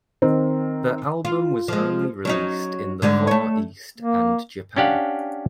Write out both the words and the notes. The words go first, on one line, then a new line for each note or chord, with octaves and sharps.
The album was only released in the Far East and Japan.
D#3 C4
F4
F3 G#3
F#3 C#4 D#4
G#2 D3 G3
A3 C#5
A#3
C#4 D4 G4 F5 F#5